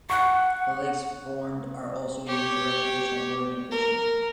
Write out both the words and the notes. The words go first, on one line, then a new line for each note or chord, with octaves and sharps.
The lakes formed are also used for recreational boating and fishing.
F#5 C#6 F#6
G4 C#5
A#4